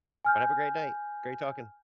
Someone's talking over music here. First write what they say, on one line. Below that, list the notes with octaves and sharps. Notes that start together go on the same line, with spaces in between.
But have a great night. Great talking.
G#5 F6 G6